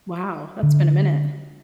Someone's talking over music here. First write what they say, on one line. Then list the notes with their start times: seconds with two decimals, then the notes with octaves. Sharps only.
Wow, that's been a minute.
0.63 D3